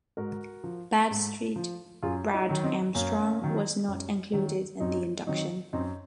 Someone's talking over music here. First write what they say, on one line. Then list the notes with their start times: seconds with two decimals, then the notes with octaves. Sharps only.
Badstreet Brad Armstrong was not included in the induction.
0.17 G#2 F#4 A#4
0.64 F3
1.10 G#2
1.56 F3
2.03 F#2 F4 G#4
2.33 D#4 F#4
2.49 D#3 F#3
2.64 C4 D#4
2.95 F#2 A#3 C#4
3.42 D#3 F#3
3.88 F#2
4.33 D#3 F#3
4.80 F#2 C4 D#4
5.27 D#3 F#3 C4 D#4
5.73 F#2 C4 D#4